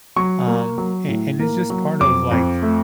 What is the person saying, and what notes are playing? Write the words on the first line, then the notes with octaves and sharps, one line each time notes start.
um, a and it's just part of, like,
F#3 C#6
A#3
F#3
A2
A#3
F#3
F2 D6
F2
A3